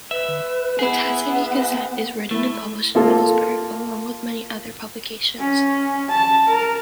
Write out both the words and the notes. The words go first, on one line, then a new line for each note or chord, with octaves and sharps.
The Teesside Gazette is written and published in Middlesbrough, along with many other publications.
B4 E5
B3 E4 G#4
A3 E4
A#3 F4 A4
C#4
A5
A#4